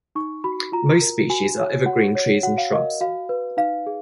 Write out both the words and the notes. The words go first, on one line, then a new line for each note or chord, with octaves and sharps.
Most species are evergreen trees and shrubs.
D#4 C#6
F#4 B5
F4 A#5
A#4
F#4 G#5
C#5
F#4 F#5
C#5
F#4 F#5
F5
A#4 D#5
F#4 F5
B4
D#4 F5
G#4